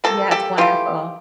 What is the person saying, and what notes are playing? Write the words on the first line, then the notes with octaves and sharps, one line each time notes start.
Yeah, it's wonderful.
C3 F3 A#3 A4
G4 A4
E3 A3 F4 G4